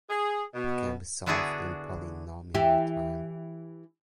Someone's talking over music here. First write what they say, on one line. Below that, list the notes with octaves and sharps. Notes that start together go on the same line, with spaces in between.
It can be solved in polynomial time.
G#4
B2
D3 B3 D4 E4 F#4 G#4
E3 E4 G4